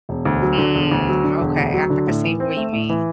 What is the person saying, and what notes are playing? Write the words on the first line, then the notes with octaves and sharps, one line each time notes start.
Mm, okay, I can see what you mean.
E1
D2
F#3
D3
E1
D2
F#3
D3
E1
D2
F#3
D3
A2
E3
C4
A3
A2
E3